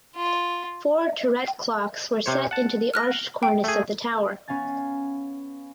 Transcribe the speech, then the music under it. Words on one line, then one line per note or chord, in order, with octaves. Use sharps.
Four turret clocks were set into the arched cornice of the tower.
F4
C3 C5 C#5
F#5 A5
F6 F#6 A#6
G5
A3 G#4
B3 C#4 F5 G#5 A6